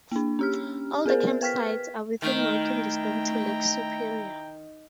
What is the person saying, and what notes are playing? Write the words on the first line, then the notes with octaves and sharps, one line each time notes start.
All the campsites are within walking distance to Lake Superior.
A#3 D4
C#4 G4 F6
B3 G#4 A#4 C5
B4 G5 F6 B6
D#3 A3 E4 G5 A#5